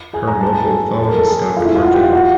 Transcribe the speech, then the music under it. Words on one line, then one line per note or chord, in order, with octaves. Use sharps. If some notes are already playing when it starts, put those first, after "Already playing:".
Her mobile phone stopped working.
G#4 G#5
A#5
A5
G#5
A4 A5
A4 A5
A#4 A#5
A4 A5
G#4 G#5
F4 F5
E4 E5
F4 F5
F#4 F#5
G4 G5
F4 F5
F#4 F#5